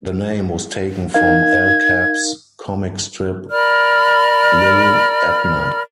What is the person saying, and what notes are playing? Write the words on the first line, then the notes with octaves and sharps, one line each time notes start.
The name was taken from Al Capp's comic strip Li'l Abner.
D#4 A#4 F5 G#6
A#4 D5 B5 F6